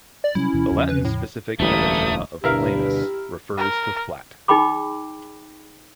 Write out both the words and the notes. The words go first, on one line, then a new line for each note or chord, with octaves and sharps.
The Latin specific epithet of "planus" refers to flat.
D5
C3 F#3 G3 C#4 E4
D2 B2 E3
E2 C#3 F3
B4
A2
E1 A1 D2 E3 G3 A3 A#3 D#6
D2 G2 B2 E4 G4 A#4 B4 F5
A#4
D#4 G#4 G5 B5 D6